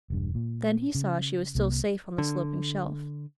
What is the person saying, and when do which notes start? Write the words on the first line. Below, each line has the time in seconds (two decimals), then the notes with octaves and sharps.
Then he saw she was still safe on the sloping shelf.
0.10 E1 G2
0.35 A#2
0.95 C#3
1.55 C2 C3 A#3
2.18 D3